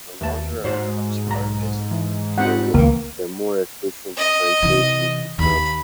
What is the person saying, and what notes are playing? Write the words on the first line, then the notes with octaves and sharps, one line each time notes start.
The longer a crop's harvest period, the more efficient plantations become.
D#2 A3 A5
G#2 F#4 C5 C#5
B1 A#5
E3
G3 C4 D#4 F#5
C#2 E3 A#3
D#5
C3 E3
D#2 B5